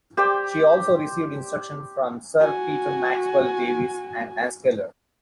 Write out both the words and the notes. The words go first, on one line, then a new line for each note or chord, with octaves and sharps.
She also received instruction from Sir Peter Maxwell Davies and Hans Keller.
G4 C5 D5 G5
F#4 G#5